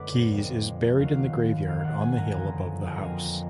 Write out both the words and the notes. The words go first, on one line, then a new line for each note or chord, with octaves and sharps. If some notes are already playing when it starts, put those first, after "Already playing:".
Keys is buried in the graveyard on the hill above the house.
Already playing: F#2 D3 G#3 B3 B4 D5
F2 F3 G#3
D#2 D#3 F#3 F5
G#2 D#3 A#3 F5
F5 F#5
G#5
G#5
A#5
F#2 D3 F3 B3
A#5
F2 F3 A#3 G#5